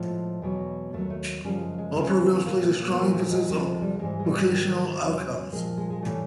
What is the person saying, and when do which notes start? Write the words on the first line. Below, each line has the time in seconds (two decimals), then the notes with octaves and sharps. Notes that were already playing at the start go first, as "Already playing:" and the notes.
All programs place a strong emphasis on vocational outcomes.
Already playing: A2 F3 G#3
0.42 E2 B2 F#3
0.93 D#2 D#3 F#3 A3
1.10 A3
1.44 F#2 C#3 F3 G3
1.61 G#3
1.78 G#3
1.95 D2 C#3 E3 G#3
2.08 C#4
2.20 C4
2.34 B3
2.46 A#2 F#3 A#3
2.63 A3
2.80 A#3
2.90 B3
2.97 A#2 F3 A#3
3.14 A3
3.31 G#3
3.48 D2 C3 F3 G3
3.65 G#3
3.82 G3
3.99 G#2 E3 G3 G#3
4.19 G#3
4.25 G3
4.50 G#2 D#3 G3
5.01 E2 C#3 F#3
5.52 A#2 F3 G#3
5.77 G#3
5.90 G#3
6.02 A2 E3 G3 A3